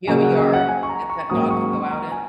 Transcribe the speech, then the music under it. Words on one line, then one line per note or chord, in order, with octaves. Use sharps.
You have a yard that that dog can go out in?
C#3 F#3 A#3 C#4 G#5
F#5
D#5
F#5
G#5
C#6
A#5
C#6
G#2 F#3 A#3 C#4 D#6
C#6
C#6
A#5
G#5